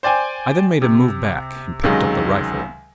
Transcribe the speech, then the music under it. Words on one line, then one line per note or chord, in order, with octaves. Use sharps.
I then made him move back, and picked up the rifle.
C5 D5 G5 G#5
C3
C#2 C3 D#3 F#3 G#3